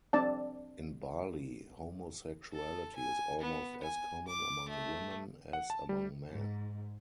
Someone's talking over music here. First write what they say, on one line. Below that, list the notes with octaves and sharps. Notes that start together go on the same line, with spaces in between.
In Bali, homosexuality is almost as common among women as among men.
C4 D4 D5 A5
A4
G#5
B3
G#5
D6
A3
F#5
A5
G3
G#2